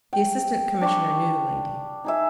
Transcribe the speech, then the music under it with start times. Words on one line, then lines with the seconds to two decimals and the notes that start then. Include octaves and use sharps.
The Assistant Commissioner knew the lady.
0.13 G5
0.81 D4 G4 C#6
2.04 D#4 G#4 E5